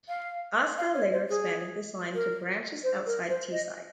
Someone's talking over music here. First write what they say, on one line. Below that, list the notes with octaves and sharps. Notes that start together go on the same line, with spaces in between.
Asda later expanded this line to branches outside Teesside.
F5
F5
C#5
C5
G#4
A#4
C5
A#4
C5
D#5